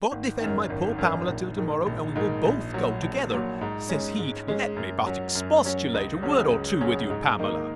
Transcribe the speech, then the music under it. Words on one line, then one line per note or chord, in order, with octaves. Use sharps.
God defend my poor Pamela till to-morrow, and we will both go together.--Says he, let me but expostulate a word or two with you, Pamela.
G#1
F#2 D#3
G#1
F#2 D#3
A#1
G#2 D#3
A#1
G#2 D#3
A#1
A#2 F#3
A#1
A#2 F#3
G#2
G#3 C#4
G#2
G#3 C#4
F#2
F#3 C#4
F#2
F#3 C#4
C#2
C#3 F#3 C#4
C#2
C#3 F#3 C#4
G#2
D#3 A#3 D#4